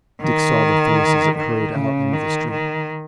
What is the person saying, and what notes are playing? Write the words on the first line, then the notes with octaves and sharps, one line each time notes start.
Dick saw the face as it hurried out into the street.
D#3
D#3
C#3
D#3
D#3